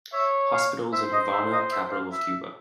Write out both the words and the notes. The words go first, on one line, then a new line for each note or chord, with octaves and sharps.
Hospitals in Havana, capital of Cuba.
C#5 E5
F5
C5 E5
D#5
E5
D#5
E5
F5
E5